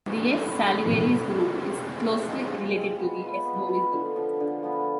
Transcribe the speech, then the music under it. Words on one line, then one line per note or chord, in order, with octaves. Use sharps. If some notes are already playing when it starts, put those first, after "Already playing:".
The S. salivarius group is closely related to the S. bovis group.
D3
A3 E4
D3
A3 E4
C4
G#4 D5
C4
G#4 D5
F3
G#3 C4
F3
G#3 C4
B3
F4 B4 E5
B3
F4 B4 E5
D3
F3 B3 F4
D3
F3 B3 F4